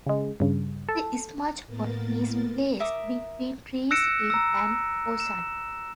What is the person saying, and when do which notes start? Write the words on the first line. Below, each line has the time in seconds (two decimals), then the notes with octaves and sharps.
The smudge pot is placed between trees in an orchard.
0.07 C#3 G#3
0.40 G2 C#3
0.89 A4
1.66 A2 A#3 B3 A#4 A6
2.80 A#4 E5 D6 D#6
3.91 E6 F#6 A#6 C#7 D7 E7
4.30 A#5 E6
5.20 E7